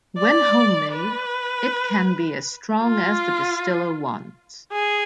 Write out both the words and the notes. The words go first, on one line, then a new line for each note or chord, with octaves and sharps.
When homemade, it can be as strong as the distiller wants.
D5
B4
F4
G#4